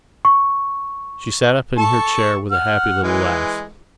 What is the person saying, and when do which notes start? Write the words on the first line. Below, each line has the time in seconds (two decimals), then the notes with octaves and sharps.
She sat up in her chair with a happy little laugh.
0.25 C#6
1.78 A4 A5 C#6
2.51 F#5 F6
3.03 E3 G#3